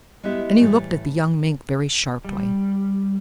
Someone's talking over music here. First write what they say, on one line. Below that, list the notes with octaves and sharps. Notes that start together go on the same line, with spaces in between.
Then he looked at the young Mink very sharply.
G#3 B3 E4 G4 E5
A2 E3 G3 A3
G3